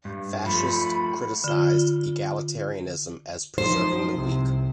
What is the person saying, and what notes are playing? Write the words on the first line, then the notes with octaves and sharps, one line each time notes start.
Fascists criticized egalitarianism as preserving the weak.
G2
F3 A3 B5
D3 F4
F3 D#4 C5
C2 C3